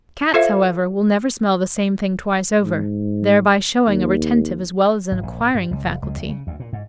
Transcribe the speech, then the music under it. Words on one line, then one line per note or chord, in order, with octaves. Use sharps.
Cats, however, will never smell the same thing twice over, thereby showing a retentive as well as an acquiring faculty.
F4 A4 C5 E5 F5
G#2
D#2
G#1
A#1
A2
G2
C#2
F1
C#2
D2
C#3
D2
A#2
G#2